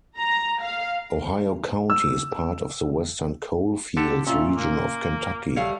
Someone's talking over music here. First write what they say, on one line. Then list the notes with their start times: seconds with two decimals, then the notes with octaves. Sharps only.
Ohio County is part of the Western Coal Fields region of Kentucky.
0.16 A#5
0.62 F5
1.90 E6
3.97 D3 G4 A4
4.27 A#2 C#4 F4 E5
4.56 A#3
5.57 G3 A3 C#5 F5